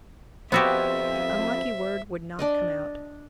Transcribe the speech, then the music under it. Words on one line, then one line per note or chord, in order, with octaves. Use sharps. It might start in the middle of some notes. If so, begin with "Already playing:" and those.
The unlucky word would not come out.
F2 B3 F#4 G4 C5 E5 E6
D4 D5 D#5